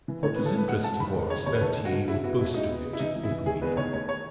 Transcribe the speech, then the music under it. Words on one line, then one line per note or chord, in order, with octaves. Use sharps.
What was interesting was that he would boast of it openly.
E3
A2 C#5
B4
A2
A4
A2 B4
G#3 F#5
G#2 A5
D#3 B5
G#3
C#3 C#5
D#2 C#5
B4
D#3 A4
D#3
F#4
G#2
C#3 E4
B3 F#4
D#2 E4
G#3 D#4
B3
C#3
E4
E3 D#4
E3
E4
E3
D#3 G#4
E2 B4
D#3 C#5
A3 C#5
C#5